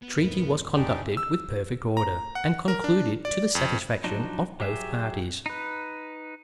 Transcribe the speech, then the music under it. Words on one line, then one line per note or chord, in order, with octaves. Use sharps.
The treaty was conducted with perfect order, and concluded to the satisfaction of both parties.
B3
D1 F2 A#4
F#1 C#2 C#3 D4 D#4 G4 G#5 F7
E6
A#5
F#5
A#4
D4
D5
F2
F3 F#3 D4 D#4
F#3 G4 G#4 E5
D#4 B4